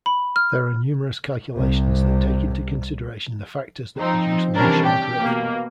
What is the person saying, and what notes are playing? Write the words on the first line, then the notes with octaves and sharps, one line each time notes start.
There are numerous calculations that take into consideration the factors that produce longshore drift.
B5
F6
C2 C3
F3 C4 D#4
C3 E3 G3 C#4 D4 A#4
G4
B2 A#3